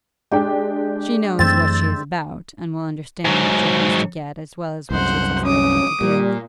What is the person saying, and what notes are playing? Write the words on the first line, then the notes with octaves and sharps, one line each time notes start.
She knows what she is about, and will understand what she has to get as well as what she is expected to give.
G#3 D4 G4 G5
F#2 E3 A3 C4 E5 A6
G#2 F#3
C2 F#2 C5 F#5
C#4 D6 D#6
A#2 G3